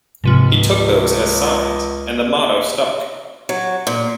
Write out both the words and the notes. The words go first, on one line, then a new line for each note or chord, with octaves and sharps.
He took those as signs, and the motto stuck.
C#2 G#2 C3 F3
F#3
A#2